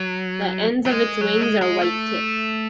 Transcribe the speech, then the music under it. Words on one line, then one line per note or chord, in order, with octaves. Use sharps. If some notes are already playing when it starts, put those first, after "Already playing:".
The ends of its wings are white-tipped.
Already playing: F#3
F#3
G#3
F#3
G#3
G#3
A3